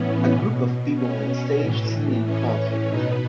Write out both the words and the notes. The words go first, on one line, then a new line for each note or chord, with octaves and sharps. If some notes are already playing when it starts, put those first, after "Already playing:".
A group of people on stage singing in concert.
Already playing: A2 E3 B3 C#4
B2
C#4
A2 E3
C#4
C#4
B2 B3 D#4